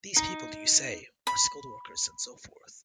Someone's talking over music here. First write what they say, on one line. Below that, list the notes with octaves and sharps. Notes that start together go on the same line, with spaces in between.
These people, you say, are skilled workers and so forth.
D#4
B5